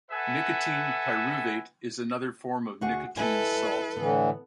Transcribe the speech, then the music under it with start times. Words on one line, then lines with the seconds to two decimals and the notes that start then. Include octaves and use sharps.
Nicotine pyruvate is another form of nicotine salt.
0.11 A4 B4 E5 F#5 G#5
2.81 D2 F#4 G#4
3.17 E4 A4 B4 D#5 G#5
3.97 A2 D3 E3 B3